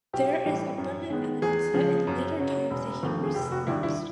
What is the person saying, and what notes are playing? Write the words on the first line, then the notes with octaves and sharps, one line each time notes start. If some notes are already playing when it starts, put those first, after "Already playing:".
There is abundant evidence that in later times the Hebrews lapsed.
B1 G4
A2 E3 G3
F#2
D#3 G#3 B3
E2 G#4
C#3 F3 G#3
F#2
C#3 F#3
E1
D#2 D3 F3 A3
G#4
F1 G4
F#4
D#2 D3 G3 E4
E4